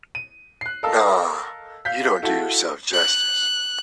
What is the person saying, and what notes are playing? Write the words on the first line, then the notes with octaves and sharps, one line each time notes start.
No, you don't do yourself justice.
D#7
F#6 C7
A4 A#4 D#5 F5 A5 E6
F5 G6 B6
E4 F#4 A4 F5
F#6